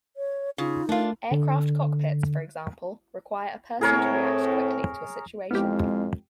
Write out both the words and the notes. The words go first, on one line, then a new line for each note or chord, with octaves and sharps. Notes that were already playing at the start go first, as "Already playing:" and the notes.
Aircraft cockpits, for example, require a person to react quickly to a situation.
C#5
C#3 D#4 F4
A3 D4 F4 A#4
D3
A2 C4 G#4 A#4 C#5
F2 G#3 B3 C4 E4 G4 F6